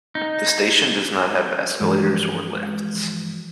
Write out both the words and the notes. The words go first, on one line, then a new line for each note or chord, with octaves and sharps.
The station does not have escalators or lifts.
D#4
G2 E3 F3 G#3 F#4